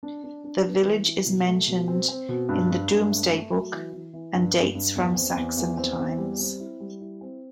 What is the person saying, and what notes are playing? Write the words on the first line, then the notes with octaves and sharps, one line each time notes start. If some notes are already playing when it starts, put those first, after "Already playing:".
The village is mentioned in the "Domesday Book" and dates from Saxon times.
D4
D4
D4
B3
E3
E3
B2
A3
B2
C4
C4
B2
G2
G2
G2
A3
A3
F#3
E3
E3
E3
G2
G2
G2
E2
C4
E2
E2
C4
E2
G3
C4
E4
G3
E4
C4